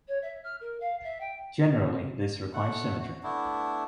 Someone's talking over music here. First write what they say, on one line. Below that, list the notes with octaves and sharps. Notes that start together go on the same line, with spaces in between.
Generally this requires symmetry.
C#5
E5
F6
A#4
F5
E5
G5
A3 F#5
F#4
A3 B3 D4 E4